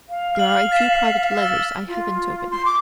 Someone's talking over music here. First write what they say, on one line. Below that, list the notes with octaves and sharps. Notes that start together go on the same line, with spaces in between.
There are a few private letters I haven't opened.
F5
F5 F6 F#7
A6 B6 E7
E6 A6
F4
C6
D6